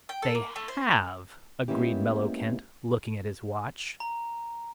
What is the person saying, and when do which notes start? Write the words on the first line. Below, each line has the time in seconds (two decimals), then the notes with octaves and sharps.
"They have," agreed Mellowkent, looking at his watch.
0.09 G5
0.22 A4
0.35 A#3
0.56 A3
0.68 C5
1.68 G#3 A#3 B3 C#4 E4 G4
4.00 A#5